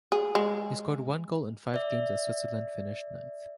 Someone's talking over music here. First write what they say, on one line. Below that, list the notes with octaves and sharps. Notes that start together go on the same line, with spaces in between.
He scored one goal in five games as Switzerland finished ninth.
G#4
G#3
D5 E5